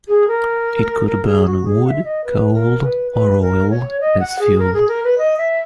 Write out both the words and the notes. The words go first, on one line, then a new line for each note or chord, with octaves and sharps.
It could burn wood, coal, or oil as fuel.
G#4
A#4
A#4
G#4
F#4
G#4
F#5
E5
D#5
B4
A#4
B4
B4
A#4
C#5
D#5
F#5
G#4
A#4
G#4
A#4
B4
D#5
E5